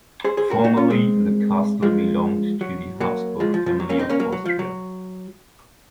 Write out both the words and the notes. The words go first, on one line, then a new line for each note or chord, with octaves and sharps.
Formerly the castle belonged to the Habsburg family of Austria.
G#4 C5
G#4 C5
F#4 A#4
D#4 F#4
C#4 F4
G#3 C4
F3 G#3
F#3
F#3 A#3
F3 G#3
F3
F3
F#3
A#3 C#4
C4 D#4
A#3 C#4
F#3 A#3
F#3
F3
F#3